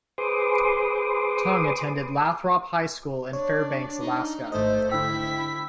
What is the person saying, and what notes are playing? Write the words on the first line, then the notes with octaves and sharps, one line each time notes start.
Tongue attended Lathrop High School in Fairbanks, Alaska.
G#4 B4 C5 C6 D6 D#6
D4 C#5
D#4
G#1 A3 C5 D#5
D3 E4 G5 E6 B6